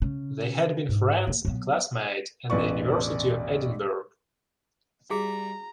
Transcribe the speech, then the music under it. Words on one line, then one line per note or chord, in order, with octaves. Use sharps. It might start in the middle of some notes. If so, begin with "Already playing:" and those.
They had been friends and classmate at the University of Edinburgh.
C#3
G#2
A#3
F#3 B3
E1 A1 B4 D5 C#6
G3 F#4 G#4 E5 A#5